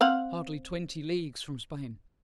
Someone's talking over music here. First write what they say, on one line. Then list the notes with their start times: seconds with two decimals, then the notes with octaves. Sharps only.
Hardly twenty leagues from Spain!
0.01 C4 F5 F#5